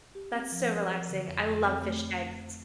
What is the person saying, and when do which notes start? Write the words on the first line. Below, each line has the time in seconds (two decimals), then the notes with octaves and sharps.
That's so relaxing, I love fish tanks.
0.15 G4
0.34 C4
0.52 F3
0.72 A#4
0.90 F3
1.09 D3
1.27 F2
1.46 F2
1.65 C4
1.83 A3